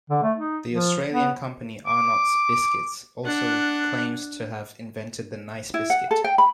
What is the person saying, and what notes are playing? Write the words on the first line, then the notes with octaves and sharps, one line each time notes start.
The Australian company Arnott's Biscuits also claims to have invented the Nice biscuit.
D3
A3
D#4
F3
B3
D6
D4 F#5
E4
F#5
A4
G5
B5